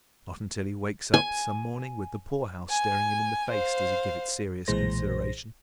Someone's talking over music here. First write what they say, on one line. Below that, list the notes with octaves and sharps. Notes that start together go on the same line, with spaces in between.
Not until he wakes up some morning with the poorhouse staring him in the face does he give it serious consideration.
G#5
G#5
C5 F5
B1 A#2 E3 G#3 C5 A#6